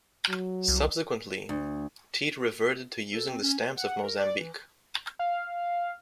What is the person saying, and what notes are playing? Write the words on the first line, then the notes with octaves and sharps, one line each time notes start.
Subsequently, Tete reverted to using the stamps of Mozambique.
F#3
C2
D2
A4
C4
C#4
C5
F#5
A#4
D5
E3
F5